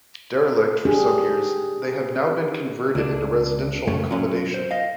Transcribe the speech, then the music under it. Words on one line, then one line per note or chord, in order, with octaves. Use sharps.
Derelict for some years, they have now been converted into residential accommodation.
D4 G4 G#4
C#2 D4
F#2 C#3 A3 C#4
F#3 C#4
C5
D#5 F5